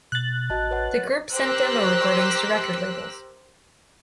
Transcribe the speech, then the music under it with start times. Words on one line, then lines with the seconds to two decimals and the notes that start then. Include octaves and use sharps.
The group sent demo recordings to record labels.
0.12 B2 F#6 A6
0.50 A1 F#4 D#5 A5
0.71 B4 C#5 F#5
1.33 G4 A#4 C5 E6 F#6